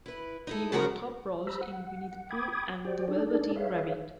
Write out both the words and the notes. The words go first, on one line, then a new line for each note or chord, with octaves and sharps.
He won top roles in "Winnie the Pooh" and "The Velveteen Rabbit".
E4 B4
D#4 E4 A4
C#3 F3 F#3 E4 F#4 A#4
G4 C5 A#5 B5 E6
F#5
G5 B5 D6 D#6 G#6
F#4 G4 C5 D5 G5
D4 D#4 G#4 A4 D5
G#4 B4 C#5 E5 F5